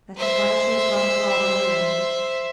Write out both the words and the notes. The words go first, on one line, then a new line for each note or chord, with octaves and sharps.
That is why she has gone abroad alone.
C5 E5